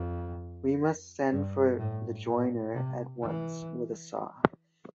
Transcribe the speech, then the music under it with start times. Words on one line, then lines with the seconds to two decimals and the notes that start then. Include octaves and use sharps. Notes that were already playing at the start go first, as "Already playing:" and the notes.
We must send for the joiner at once, with a saw.
Already playing: F2
1.31 G2
1.78 A2
2.26 A#2
2.74 C3
3.21 E3